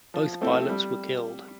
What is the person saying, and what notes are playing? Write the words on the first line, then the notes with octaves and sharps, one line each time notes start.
Both pilots were killed.
F3
A3 C4 E4 A4
G3